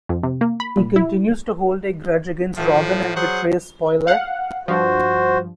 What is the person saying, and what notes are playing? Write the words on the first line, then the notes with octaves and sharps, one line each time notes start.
He continues to hold a grudge against Robin and betrays Spoiler.
F2
C3
A#3
B5
A#2
E4
A2 F3
F#3 G#4 C5 F#5
F5 F#5
G2 F3 F#4 C5